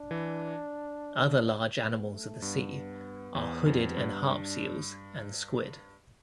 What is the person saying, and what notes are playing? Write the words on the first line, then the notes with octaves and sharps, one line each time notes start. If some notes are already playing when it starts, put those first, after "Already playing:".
Other large animals of the sea are hooded and harp seals and squid.
Already playing: D4
E3
B3
A3
G2 B3
E2
F2
G2
D4